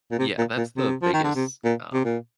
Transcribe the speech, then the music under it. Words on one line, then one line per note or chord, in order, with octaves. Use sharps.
Yeah, that's the biggest, um
A#2
C3
A#2
A#2
C3
F3
D#3
D3
C3
A#2
C3
A#2